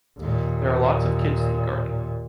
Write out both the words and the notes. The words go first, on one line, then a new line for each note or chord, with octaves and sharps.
There are lots of kids in the garden.
D#2 A#2